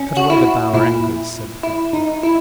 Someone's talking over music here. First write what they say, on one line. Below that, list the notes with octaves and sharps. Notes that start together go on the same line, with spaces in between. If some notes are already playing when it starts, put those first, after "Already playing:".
"Cut away the bower anchors," said the captain.
Already playing: C#4
F#4
E4
A#2 E4
E4
D#4
E4